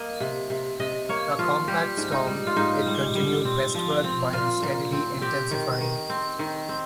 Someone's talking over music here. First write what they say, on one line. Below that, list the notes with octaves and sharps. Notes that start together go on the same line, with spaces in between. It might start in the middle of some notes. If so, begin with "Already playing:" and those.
A compact storm, it continued westward while steadily intensifying.
Already playing: A#3 D#5
C3
C3
C3 D#5
A#3 C#5
F3 F4
G3 G4
G#2
D#4
G3
F4
G#2 D#4
G3
G3
C4
F3
C4
A#2 F4
A#2
C4
C4 G4
D#3
D#3
C4
D#3
C4